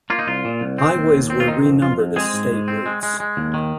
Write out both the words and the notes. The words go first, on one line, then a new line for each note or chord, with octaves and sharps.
Highways were renumbered as state routes.
A#3 F4
D#4
C2 F4
A#2
C2
C4
D#2
D#2
C4
F4
D#3 D#4
F2
F2 F4
F2
G#3 C4 G#4
G#2
G#2
C4
G#3
G#3
G#3
D#2
D#3